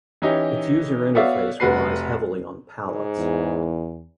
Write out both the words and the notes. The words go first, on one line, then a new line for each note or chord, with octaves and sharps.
Its user interface relies heavily on palettes.
E3 C#4 D#4 G4
B3 F#4 C#5 D5 E5 F5
F1 F#4 B4 C7
G#2
E2